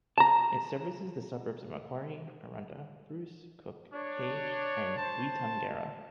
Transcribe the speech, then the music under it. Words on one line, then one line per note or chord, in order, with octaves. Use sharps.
It services the suburbs of Macquarie, Aranda, Bruce, Cook, Page and Weetangera.
A5 A#5
D4 C#5
C5 A5